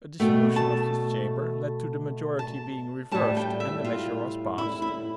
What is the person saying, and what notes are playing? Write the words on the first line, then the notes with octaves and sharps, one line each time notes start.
A dissolution of this Chamber led to the majority being reversed, and the measure was passed.
B2 A3 G5
A5
A5
A2 G3 A5
G5
E5
F4
E4
E4